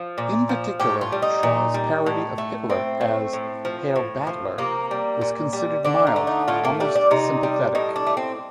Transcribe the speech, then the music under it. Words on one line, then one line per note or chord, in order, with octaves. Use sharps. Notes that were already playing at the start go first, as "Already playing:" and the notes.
In particular, Shaw's parody of Hitler as "Herr Battler" was considered mild, almost sympathetic.
Already playing: F3
A#2
F3
A2 G4
F4
G3
D#4
A#2
G3
A2
A3
A2 C4
A3
A2
F3
A2
F3
C3 A#3
G3
A#2
G3
D3 D4
D#4
A3
D#4
A2 F4
A#3
G3 D4
D4
C3 D#4
G3
A2 D#4
D4
A3
C4